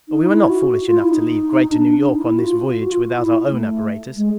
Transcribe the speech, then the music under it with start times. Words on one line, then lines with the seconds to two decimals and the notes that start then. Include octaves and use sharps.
But we were not foolish enough to leave Greater New York on this voyage without our own apparatus.
0.09 D#4
0.26 E4
0.50 F#4
0.86 F4
0.99 E4
1.10 D#4
1.71 D4
2.01 D4
2.10 D#4
2.20 E4
2.38 F#4
2.45 F4
2.69 F4
2.80 F#4
2.92 F4
3.18 E4
3.50 A3
4.16 G#3